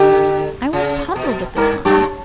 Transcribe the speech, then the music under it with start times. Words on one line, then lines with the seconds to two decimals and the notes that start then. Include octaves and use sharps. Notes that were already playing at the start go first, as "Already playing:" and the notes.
I was puzzled at the time.
Already playing: D3 G4
0.73 C#3
1.16 B2
1.57 G2 A#4
1.85 F#2 G4